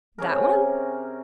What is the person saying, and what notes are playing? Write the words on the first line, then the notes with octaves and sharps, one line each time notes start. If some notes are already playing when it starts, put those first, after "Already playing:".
"That one?"
C3 C#4 G#4 A#4